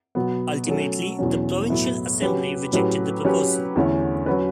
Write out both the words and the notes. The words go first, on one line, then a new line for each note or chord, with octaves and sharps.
Ultimately the provincial assembly rejected the proposal.
B2 F#3 B3
F#3 A3 C#4 F#4 A4
E2 B2 F#3 C#4
A2 F#3 B3 E4
F#3 C#4 G4 B4
A2 F#3 C#4 G4 B4
F#3 C#4 G4 B4
E2 D3 A3 C#4 E4
F#3 C#4 F#4 B4